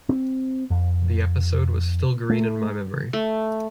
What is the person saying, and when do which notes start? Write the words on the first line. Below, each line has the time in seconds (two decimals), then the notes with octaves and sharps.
The episode was still green in my memory.
0.09 C4
0.70 F2
2.30 A3
3.13 A3